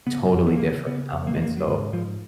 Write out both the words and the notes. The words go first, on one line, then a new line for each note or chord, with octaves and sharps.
totally different, um, and so
C#3 B3
F2
B3
C#3 A#3
B3
C#3 B3
F2
A#3
G#3
C#3 A#3
F#3
G#2 G#3
G#2 F3